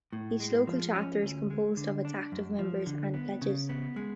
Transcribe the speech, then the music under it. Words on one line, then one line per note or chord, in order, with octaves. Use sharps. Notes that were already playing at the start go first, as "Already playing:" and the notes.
Each local chapter is composed of its active members and pledges.
A2
G#3
F3
C#4
D2
G#3
D3
D4
F#2
F3
D3
B3
C#3
B3
G#3